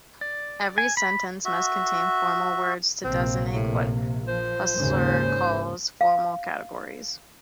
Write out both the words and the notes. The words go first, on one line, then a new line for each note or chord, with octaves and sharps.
Every sentence must contain formal words to designate what Husserl calls "formal categories".
D5
G#5
B5
F#4 E5
A#1 C3 A#3 C4
A2
F3 C5
G#1 D#2 C#3
F5